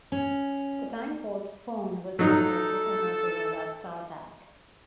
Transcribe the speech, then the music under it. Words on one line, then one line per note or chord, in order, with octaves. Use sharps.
The Timeport phone was similar to a Motorola Startac.
C#4
F#3 D#4 A4